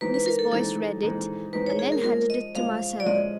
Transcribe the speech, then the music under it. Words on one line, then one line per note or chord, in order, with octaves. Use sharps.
Mrs. Boyce read it, and then handed it to Marcella.
E3 G#3 C4 D#4 B4
B4
A#4
A4
E3 G#3 C4 D#4 A4
E3 G#3 C4 D#4
E3 G#3 C4 D#4 B4
C#5
G#4
A#4
F3 G#3 C#4 A#4
D#5
F3 G#3 C#4 F5
D5
F3 G#3 C#4 D#5